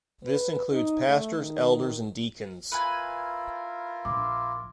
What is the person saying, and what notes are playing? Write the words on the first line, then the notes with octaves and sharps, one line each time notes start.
This includes pastors, elders and deacons.
B4
D#4
A3
D#3
E4 F4 A#4 B4 G#5
A#1 C6 D6